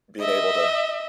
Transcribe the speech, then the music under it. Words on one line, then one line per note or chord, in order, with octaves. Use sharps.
being able to
D#5 E5